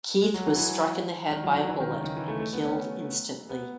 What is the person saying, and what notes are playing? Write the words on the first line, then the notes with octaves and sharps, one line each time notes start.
Keith was struck in the head by a bullet and killed instantly.
G#3
F#3
E3
E3
D#3
F#3
D#3
E3
D#3
C#3
D#3
E3
A3
A3
B3
C#4
B3